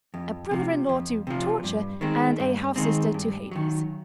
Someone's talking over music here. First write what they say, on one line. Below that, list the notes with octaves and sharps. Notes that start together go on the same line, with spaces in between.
A brother-in-law to Torture and a half-sister to Hades.
F2
C3 F3
F2
C3 F3
G2
D#3 G#3 C4
G2
D#3 G#3 C4
G2
D#3 F#3